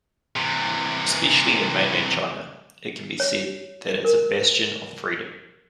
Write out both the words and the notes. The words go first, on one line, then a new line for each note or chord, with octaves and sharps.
Especially in mainland China, it can be said that it's a bastion of freedom.
C3 E3
C#5
A#4